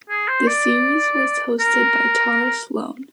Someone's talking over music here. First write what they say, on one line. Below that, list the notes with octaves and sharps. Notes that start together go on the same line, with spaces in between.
The series was hosted by Tara Slone.
G#4
C5
D5
A#4